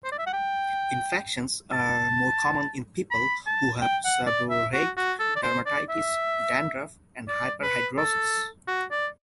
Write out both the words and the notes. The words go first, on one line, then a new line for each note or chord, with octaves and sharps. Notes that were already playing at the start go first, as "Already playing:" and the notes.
Infections are more common in people who have seborrheic dermatitis, dandruff, and hyperhidrosis.
C5
D5
E5
F#5
G5
A5
B5
A5
G5
F#5
D5
E5
F#4
F#4
A4
D5
C5
D5
E5
D5
B4
A4
F#4
D5